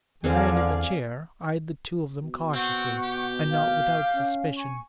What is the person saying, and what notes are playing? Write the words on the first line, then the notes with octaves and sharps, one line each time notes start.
The man in the chair eyed the two of them cautiously, and not without suspicion.
E2 D3 C4 G#4 D5 F5 G#5
B2
C4 F#5 C#6
G4
F5
C#4
G#5 C#6